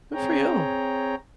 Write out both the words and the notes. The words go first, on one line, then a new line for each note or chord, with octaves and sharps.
Good for you.
C4 G#4 C#5 G5 A#5